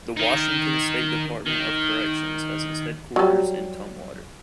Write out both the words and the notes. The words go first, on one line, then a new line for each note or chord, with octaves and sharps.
The Washington State Department of Corrections has its headquarters in Tumwater.
D#3 D#4
D#3
F#3 G3